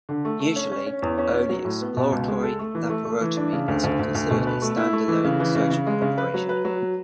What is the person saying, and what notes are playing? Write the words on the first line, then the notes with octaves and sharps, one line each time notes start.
Usually, only exploratory laparotomy is considered a stand-alone surgical operation.
D3
A3
A3
C#4
C#4
C#4
E2
C#4
C#4
F#3
A2
B3
B2
C#2
G#3
A4
A3
E3
A3
A3
E3
D4
C#3
D2
D2
D2
D2
B2
B4
A3
E4
A3
E3
C#3
E3
C#3
C#3
G#3
C#3
B4
F#3
B4
F#3